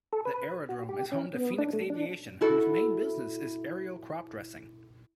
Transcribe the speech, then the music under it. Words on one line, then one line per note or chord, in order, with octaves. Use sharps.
The aerodrome is home to Phoenix Aviation whose main business is aerial crop dressing.
A4
B4
F#4
G4
C#4
B3
D4
A3
D4
E4 F#4 A4